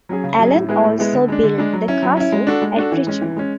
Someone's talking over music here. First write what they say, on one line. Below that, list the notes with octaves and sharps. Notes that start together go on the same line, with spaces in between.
Alan also built the castle at Richmond.
F#3 C#4 G#4
C#3
F#3 C#4 G#4
A2
G#3 B3 E4 G#4
A2
G#3 B3 E4 G#4
D3
G#3 D4
D3
G#3 D4
F#3
C#4 E4
F#3
C#4 E4
G#3
D4 F#4 A4
G#3
D4 F#4 A4
E3
G#3 C#4
E3
G#3 C#4